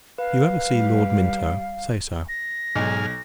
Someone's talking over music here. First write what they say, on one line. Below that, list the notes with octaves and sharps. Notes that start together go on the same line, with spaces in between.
If you ever see Lord Minto, say so.
B4 F5
G3
A#6
B1 G#2 G#5 F6